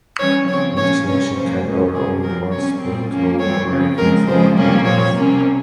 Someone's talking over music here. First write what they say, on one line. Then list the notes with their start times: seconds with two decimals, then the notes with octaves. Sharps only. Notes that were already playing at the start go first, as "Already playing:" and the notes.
Each nation can earn only one spot through rankings or events.
0.19 E3 G3 C#4 C#5
0.48 C#3 F3 C4 C#5
0.77 F3 A#3 C#4 C#5
1.06 C3 E3 G3 C#4 C#5
1.35 F3 A#3 C#4 C5
1.64 E3 G#3 C#4
1.93 C3 G3 C#4 G#4
2.22 F3 A#4
2.27 C4
2.51 C3 G3 C#4 C#5
2.81 A#2 G3 C4
3.10 F3 A#3 C#4
3.39 E3 G3 C4 C#5
3.69 C#3 F3 C4
3.97 C#3 F3 G#3 C4 A#4
4.26 C#3 F3 G#3 C5
4.55 C3 G3 A#3 C#4
4.84 A#2 F3 C4 C#5
5.13 C3 G3 A#3 C#4